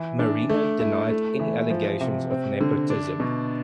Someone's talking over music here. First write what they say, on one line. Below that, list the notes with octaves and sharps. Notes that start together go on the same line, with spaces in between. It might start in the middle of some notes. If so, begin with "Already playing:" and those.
Merino denied any allegations of nepotism.
Already playing: E3 E4
D4
A3
E4
A3
E3
F3
C3
C4
D3
D4
B2